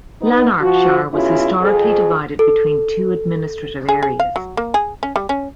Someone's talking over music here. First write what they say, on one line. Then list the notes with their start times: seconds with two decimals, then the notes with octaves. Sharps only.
Lanarkshire was historically divided between two administrative areas.
0.22 B3 D#4
0.60 F3 F#4
1.12 B2 F#3 C#4 E4 F4 G#4
1.60 F2 G#4
2.39 A4
3.89 G#4
4.03 G#4
4.20 F5
4.36 F#3
4.57 A#3
4.74 G#4
5.03 C#4
5.16 G3
5.29 C#4